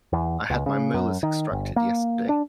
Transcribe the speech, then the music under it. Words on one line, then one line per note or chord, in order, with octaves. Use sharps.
I had my molars extracted yesterday.
E2
C#2
C#3
F#2
D#3
G1
A#3
D4